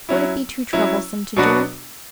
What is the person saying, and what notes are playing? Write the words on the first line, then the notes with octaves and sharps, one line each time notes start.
Would it be too troublesome to do?'
F#3 C#4 E4
F#3 C#4 E4
B2 F#3 B3 D4 F#4